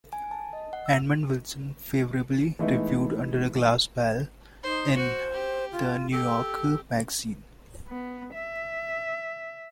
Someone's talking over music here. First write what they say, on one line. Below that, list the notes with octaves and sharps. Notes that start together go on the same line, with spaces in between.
Edmund Wilson favorably reviewed "Under a Glass Bell" in "The New Yorker" magazine.
G#5
A5
D#5
F#5
E6
E3 G#3 A3 B3 D#4 E4
D#4 C5
F#4 C5
G4
F4
G4 A4
B3
E5